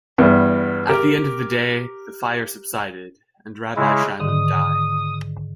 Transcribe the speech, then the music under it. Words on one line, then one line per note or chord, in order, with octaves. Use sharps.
At the end of the day, the fire subsided and Rabbi Shimon died.
E2 G2 B3
G4 A#4
C#3 G#3 E4
G#2 D3 D#3 D#6